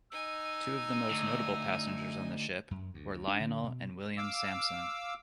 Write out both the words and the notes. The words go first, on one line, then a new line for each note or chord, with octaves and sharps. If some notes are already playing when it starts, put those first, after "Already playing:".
Two of the most notable passengers on the ship were Lionel and William Samson.
D#4 G#5 E6
D2
F#2
D2
D4
D3
B2
F5 D6 E6